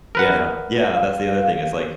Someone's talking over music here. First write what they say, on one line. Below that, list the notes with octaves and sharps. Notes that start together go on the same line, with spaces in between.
Yeah. Yeah, that's the other thing, it's like,
A#4 B4 F#5
F5